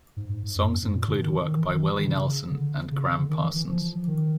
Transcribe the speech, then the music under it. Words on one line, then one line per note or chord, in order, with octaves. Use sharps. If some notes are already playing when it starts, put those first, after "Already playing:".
Songs include work by Willie Nelson and Gram Parsons.
G#2
G#2
G#2
F#2
F#2
G#2
A#2
D3
D#3
E3
D#3
E3
D#3
E3
D#3
C3
C#3
D3
C#3
D3
D#3
E3
E3
F3
D#3